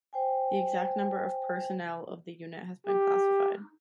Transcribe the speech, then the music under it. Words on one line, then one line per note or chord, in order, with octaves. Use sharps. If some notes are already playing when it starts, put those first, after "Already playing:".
The exact number of personnel of the unit has been classified.
C5 G5 G#5
G4